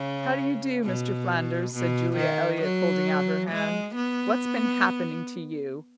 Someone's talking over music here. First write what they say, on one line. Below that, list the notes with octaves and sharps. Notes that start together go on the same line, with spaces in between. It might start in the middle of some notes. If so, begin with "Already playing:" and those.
"How d'you do, Mr. Flanders," said Julia Eliot, holding out her hand. "What's been happening to you?"
Already playing: C#3
B2
B2
D#3
F#3
G#3
B3